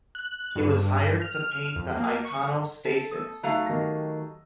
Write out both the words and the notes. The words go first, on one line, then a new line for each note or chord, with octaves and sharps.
He was hired to paint the iconostasis.
F#6
G2
F6
F2
A#3
C#6
A4
D#6 E6
F#3 A3 D#4 F#4 F5
D#3 G4 A#6